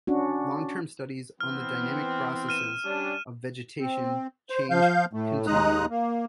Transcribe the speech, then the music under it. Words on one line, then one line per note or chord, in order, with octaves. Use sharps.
Long term studies on the dynamic processes of vegetation change continue.
C#4 D4 F#4
E3 B3 C4 F6
F6 D#7 E7
G3 C#4 D4
C4
C5
F3 F5 G6
A2 A3
D#2 G#3 D#4 A#5 D#6 F#6
A#3